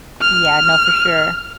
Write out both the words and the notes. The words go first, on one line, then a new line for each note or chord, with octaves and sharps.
Yeah, no, for sure.
F6